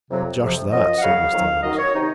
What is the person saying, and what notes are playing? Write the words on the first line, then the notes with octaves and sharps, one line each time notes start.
"Just that," said Mr. Lindsey.
F2 C3 F#3
F2 C3 F3
F#2 F3 D#5
F#5
F#2 C#3 F#3 F5
F2 D#3 F#3
F#2 D#3 F#3 D#5
C#5
C3 D#3 D#4